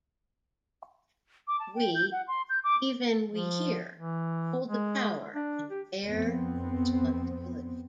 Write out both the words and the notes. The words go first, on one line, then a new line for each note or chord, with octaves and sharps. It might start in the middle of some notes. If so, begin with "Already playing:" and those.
We, even we here, hold the power and bear the responsibility.
D6
A5
G5
G6
F#5
C6
G6
D6
F3
E3
G#3
D4
G4
F2 B3 C4